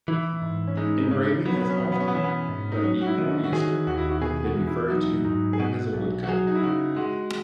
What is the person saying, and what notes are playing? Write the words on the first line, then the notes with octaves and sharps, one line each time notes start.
The engraving has often, but erroneously, been referred to as a woodcut.
E3 E4
G#2
C#4
G#3 D#4
D#4
C#3 C#4
F#3 B3
C#4
B3
C#4
B3
B2 C#4
B3
C#4
B3
E3 C#4
B3
G#2
D#4
F#3 C#4
F#4
E4
D#3
F#4
F#4
D#3 G#4
D#2 F#4
E4
F#4
B2 G#4
F#4
E2
E4
F#3 D#4
G#2 D#4
G#4
B2 F#4
B1
F#4
F#3 G#4
D#4
E4
C#3 F#4
G#3 F#4